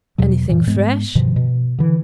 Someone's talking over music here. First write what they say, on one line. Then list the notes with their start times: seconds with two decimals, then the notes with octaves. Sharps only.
Anything fresh?'
0.18 E2 B2 F#3
0.49 F#2 A#2 E3
0.67 G#2 G#3 B3
1.15 G2 B2 D#3 F3
1.36 B2
1.79 D3 E3